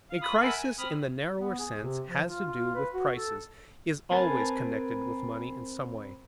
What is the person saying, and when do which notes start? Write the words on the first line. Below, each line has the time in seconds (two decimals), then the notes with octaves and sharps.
A crisis in the narrower sense has to do with prices--is always connected with money in some way.
0.10 F5
0.22 F4 B5 D#6
0.42 A#4 E5 F#5 G#5 A5 B5
0.57 G#5
0.78 C4 B5 D#6 F6
1.39 B3
1.59 G#4
1.80 C3
2.09 F3
2.27 F4
2.47 F4
2.75 B4
2.93 F#4
3.14 A4
4.11 C4 A#4 B4 G#5 A5